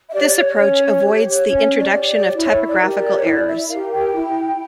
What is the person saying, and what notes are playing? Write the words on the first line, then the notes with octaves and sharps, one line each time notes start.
This approach avoids the introduction of typographical errors.
E5
G4 C#5 D5
D5
C#5
C#4
G4 C#5
C#4 C#5
D5
G4 C#5
D5
E4 C#5
D5
G4 A#4
D5
C#5
E4 D5
E5
G4 A#4 F5
G5
E4